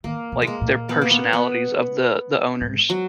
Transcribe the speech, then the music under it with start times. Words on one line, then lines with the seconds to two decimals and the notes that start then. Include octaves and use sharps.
like, their personalities of the the owners.
0.04 D#3 A#3
0.32 B2
0.42 G#3
0.47 A#3
0.61 A#2
0.89 B3
1.01 A#3
1.11 B3
1.33 B3
2.61 G#2
2.90 F#3